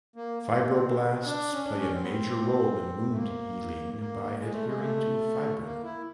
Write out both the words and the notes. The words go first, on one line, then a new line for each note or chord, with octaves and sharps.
Fibroblasts play a major role in wound healing by adhering to fibrin.
A#3
A#3
C4
D4
C#4
D4
C#4
C4
B3
C4
A3
A#3
A#3
G#3
A3
G#3
A#3
A3
A#3
E4